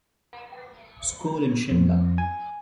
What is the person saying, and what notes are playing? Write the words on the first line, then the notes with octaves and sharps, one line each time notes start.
School in Shimla.
F2
G#5